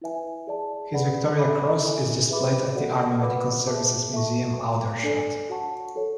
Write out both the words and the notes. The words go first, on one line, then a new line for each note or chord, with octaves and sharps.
His Victoria Cross is displayed at the Army Medical Services Museum, Aldershot.
E4 B4 E5 G#5
G#4 D5 A5
G#4 B4 D5 F#5 B5
A4 E5 B5 D6
E4 A4 E5 G#5
G#4 B4 E5 B5 D6
F#4 A4 D5 F#5
B4 F#5 B5 D6
G#4 C#5 E5 A5 D6
A4 E5 A5 C#6
C#5 G#5 D6
D4 A4 D5 G#5
F#4 C#5 F#5 A5 C#6
F#4 A4 C#5